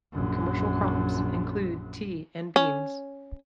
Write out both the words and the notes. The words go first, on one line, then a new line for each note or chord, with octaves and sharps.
Commercial crops include tea and beans.
A#1 F#2
C#4